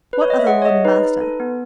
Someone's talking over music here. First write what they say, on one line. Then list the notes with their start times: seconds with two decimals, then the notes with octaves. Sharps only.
What other lord and master?
0.13 B4
0.22 C#5
0.30 D#5
0.39 E5
0.47 G#4 F#5
0.62 C#5
0.65 G#4 D#5
0.85 D#4 B4
1.03 D#4
1.21 A4
1.40 B3